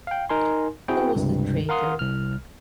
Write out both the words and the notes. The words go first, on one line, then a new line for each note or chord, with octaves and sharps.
Who was the traitor?
F5 G5
D#4 A#4 G#5 C6
C4 E4 F#4 G#4 G5
C#2 G2 C3
A#4 F5 F#5 C6 D#6 F6
C2 F6